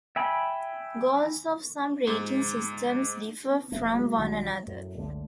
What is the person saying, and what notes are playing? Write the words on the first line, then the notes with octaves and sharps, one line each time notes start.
Goals of some rating systems differ from one another.
E5 G5 G#5 B5
G#2
B3
E1 F3 A3 A#3
F#3 G#3
A#1 D#3 F#3 G3
F#2 A2
F#1 C#2 D3 A3